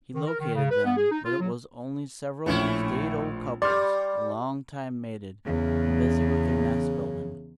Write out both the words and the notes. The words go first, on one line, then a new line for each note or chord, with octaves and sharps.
He located them, but it was only several staid old couples, a long time mated, and busy with their nest-building.
D#3
A#4
D#3
C#3
B4
B3
G#4
D#4
F4
F#3
A#1 A2 A3 C#4 E4
G3 D5 C6 F6
E2 C#3